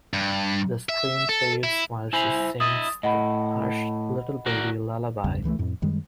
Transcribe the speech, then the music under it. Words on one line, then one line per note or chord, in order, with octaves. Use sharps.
The screen fades while she sings the "Hush, Little Baby" lullaby.
G2
E5
A4
E4
E4 C5 G#5 B5 F7
E4 D#5 D#6 A6
A2 D#5 F#5 B5
F#4 A#4 D5
A1 E2 G2 C#3
C#2 E3 G3 A3
F2 A2
F#2 D#3 G3 G#3